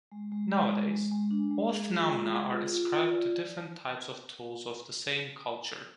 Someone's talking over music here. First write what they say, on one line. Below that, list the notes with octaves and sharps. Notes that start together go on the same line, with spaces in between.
Nowadays both phenomena are ascribed to different types of tools of the same culture.
G#3
G#3
G#3
G#3
G#3
G#3
D4
G#3
G#4
F4
G#3
G#4
F4
F4
F4
D5